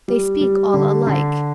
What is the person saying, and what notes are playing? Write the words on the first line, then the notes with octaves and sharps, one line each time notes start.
They speak all alike.
G3
G3
D3
D3